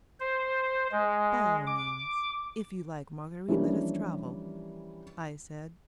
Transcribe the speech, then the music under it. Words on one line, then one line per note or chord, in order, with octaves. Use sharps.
"By all means, if you like, Marguerite, let us travel," I said.
C5
G#3
D6
E3 F3 G3 A#3 C#4 D4